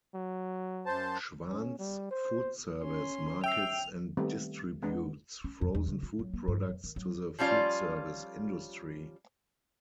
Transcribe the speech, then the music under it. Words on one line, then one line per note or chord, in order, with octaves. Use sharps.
Schwan's Food Service markets and distributes frozen-food products to the food service industry.
F#3
F#2 C5 A5
C#4
G3
C5
C#4 C6
E5 G5 E6 C7 F7
D#3 G3 A3 B3 C4
G#3 B3 D4
C#4
F2
E2
C#3
F4
F#3
A#3
G2
F2
D#3
F#3
F3 G3 C#4 F4 D5